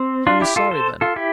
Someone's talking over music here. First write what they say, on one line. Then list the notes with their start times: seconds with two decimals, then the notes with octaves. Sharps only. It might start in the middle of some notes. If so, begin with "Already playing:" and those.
He was sorry then.
Already playing: C4
0.27 D4 F4
0.41 E4 G4
0.56 F4 A4
0.71 A4 C5
1.01 F4 A4
1.16 E4 G4